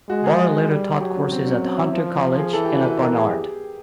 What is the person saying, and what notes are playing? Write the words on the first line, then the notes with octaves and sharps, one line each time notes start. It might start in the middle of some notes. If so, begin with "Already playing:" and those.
Barr later taught courses at Hunter College and at Barnard.
G#3 F#4
G#4
G3
F#3 G4
C#4
C4
C4
C#4
C4
E4
F3
G#4
E3 A4
G4
F#4
B4
A#4
G#4
G4